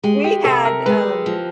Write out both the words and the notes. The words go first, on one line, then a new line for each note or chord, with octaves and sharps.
We had, um
G#3 G4
G4
C3 A4
A#4
G#3 B4
F3